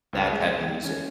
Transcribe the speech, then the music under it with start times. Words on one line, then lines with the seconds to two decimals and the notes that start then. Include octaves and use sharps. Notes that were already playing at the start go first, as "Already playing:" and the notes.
that type of music.
0.13 C#2
0.33 G#3
0.61 G#6
0.84 C#4